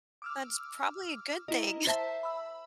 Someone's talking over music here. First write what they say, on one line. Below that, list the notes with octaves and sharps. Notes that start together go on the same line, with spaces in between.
That's probably a good thing.
D6 E6 F6
E4 A#4 D#5
C5 E5 A5
B5 E6